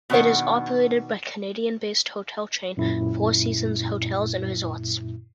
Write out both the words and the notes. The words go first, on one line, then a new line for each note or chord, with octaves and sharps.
It is operated by Canadian-based hotel chain, Four Seasons Hotels and Resorts.
B2 D#3 D4 F#5
F#2 A#2 E4